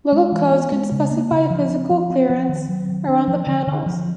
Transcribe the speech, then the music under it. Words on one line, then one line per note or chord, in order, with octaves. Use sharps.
Local codes can specify physical clearance around the panels.
G#3
E3
B3
G#3
C#3
A#3
C#3
F3
C4
F3
C4
F3
D#3
F#3
D#3
D4
F3
D3
D3
F3